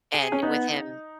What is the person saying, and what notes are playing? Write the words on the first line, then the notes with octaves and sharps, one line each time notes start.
and with him
G#4
C#4
B3 D#4